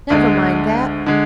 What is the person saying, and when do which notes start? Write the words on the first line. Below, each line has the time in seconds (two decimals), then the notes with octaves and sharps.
'Never mind that.
0.10 D2 D3 G#3
1.06 D3 G#3